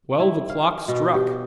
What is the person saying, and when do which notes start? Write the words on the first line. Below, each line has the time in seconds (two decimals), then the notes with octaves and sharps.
Twelve o'clock struck!
0.20 E4
0.50 F5
0.88 B2
1.14 G4